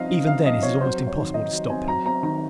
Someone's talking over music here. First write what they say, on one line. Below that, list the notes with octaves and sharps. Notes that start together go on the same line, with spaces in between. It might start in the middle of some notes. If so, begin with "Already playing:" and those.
Even then it is almost impossible to stop him.
Already playing: F3 C4 D#4 D#5 F5
C#3
D#4 F5
F3 D#5
C4 C#5
F#3 C5
C4
C#5
D#3
D#4 D#5
F#3
C4 G#5
F#3 A#5
C4 A#5
D#3 A#5